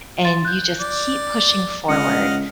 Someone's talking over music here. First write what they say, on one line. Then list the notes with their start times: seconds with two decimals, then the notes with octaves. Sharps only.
and you just keep pushing forward,
0.25 C6 A6
0.45 F#6 G6
0.79 D5
1.89 C#2 D#5 F5 F#5 C#7